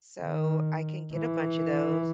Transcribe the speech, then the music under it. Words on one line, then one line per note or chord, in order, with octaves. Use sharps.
So, I can get a bunch of those,
D#3
E3